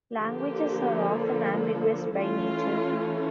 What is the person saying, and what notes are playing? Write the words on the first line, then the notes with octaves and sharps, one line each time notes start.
Languages are often ambiguous by nature.
D3 F3 A#3 G4
A4
E3 A3 C#4 F4